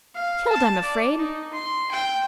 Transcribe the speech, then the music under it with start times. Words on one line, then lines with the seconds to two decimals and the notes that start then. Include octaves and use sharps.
Killed, I'm afraid!
0.15 F5
0.49 A5
0.83 D5
1.17 D#4
1.53 C6
1.91 G5